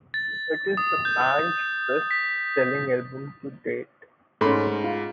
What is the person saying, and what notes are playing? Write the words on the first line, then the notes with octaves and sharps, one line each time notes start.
It is the band's best-selling album to date.
A6
D#6
G6
B6
G#2 A3 C#4 B5 C6
F4